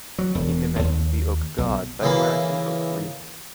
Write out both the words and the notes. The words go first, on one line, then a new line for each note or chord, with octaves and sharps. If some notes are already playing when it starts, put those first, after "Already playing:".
He mimicked the oak-god by wearing an oak wreath.
F#3
E1
D#2
B1
C#3 E3 A#3